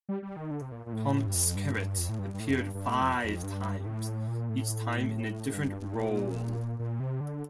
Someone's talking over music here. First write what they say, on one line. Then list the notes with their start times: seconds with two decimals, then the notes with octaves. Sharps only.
Tom Skerritt appeared five times, each time in a different role.
0.09 G3
0.23 G3
0.37 D#3
0.51 D3
0.62 C3
0.72 A#2
0.86 A#2
0.93 A2
1.27 G2
1.35 F2
1.56 G2
1.77 G2
1.98 F2
2.09 A2
2.19 G2
2.34 G2
2.40 A2
2.50 F2
2.60 G2
2.74 G2
2.89 A2
3.02 F2
3.24 F2
3.43 G2
3.80 G2
3.86 A2
4.28 A#2
4.49 A2
5.54 G2
5.67 G2
5.81 G2
5.95 A#2
6.79 A#2
7.00 C3
7.21 D3